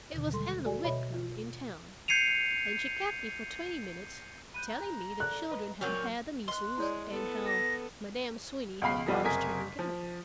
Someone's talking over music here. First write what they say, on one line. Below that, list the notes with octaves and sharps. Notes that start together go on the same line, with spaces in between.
It was Anna Whitcomb, in town, and she kept me for twenty minutes, telling me the children had had the measles, and how Madame Sweeny had botched her new gown.
D#2 B2 D3 D#3
G3 G#3 A4 C6
F#4 A4 D5 G#5
B2 C#5 D#5 E5 B5
F4
G6 G#6 C7 C#7 D#7 F7
B5 F#6 G6 D#7
A#5
A4 D5 F#6
B4 D#5 B5
A#2 F#3 C4 C#4 G6
D#5 C6 F#6
G#3 E4 C#5 D5
B3 A4
A#6
C#2 B2 F5 B5 C7
F2 B2 G3 B3 F4
F#1 C3 A#4 G#5 D#6 B6
F3